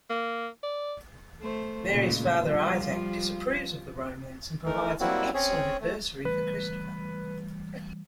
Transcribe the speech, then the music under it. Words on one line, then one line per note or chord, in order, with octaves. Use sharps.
Mary's father Isaac disapproves of the romance and provides an excellent adversary for Christopher.
A#3
D5
A3 C5
A#2 C#3 G#3
F3 G3 F4
E3 A3 D#4 A#4
F#3 G3 A#3 C4 E4 F#4
C4 C#4 G#4 C#5
A3
E3 G3 A3 B4